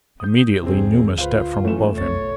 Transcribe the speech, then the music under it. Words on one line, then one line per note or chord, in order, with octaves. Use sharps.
Immediately Numa stepped from above him.
D#6 G6
G#1 E2 C3 C4 G#4
D2 F4 B4 C5 F5
E3 F#3 A3 C#4 E7
F#1 B1 C#5 A6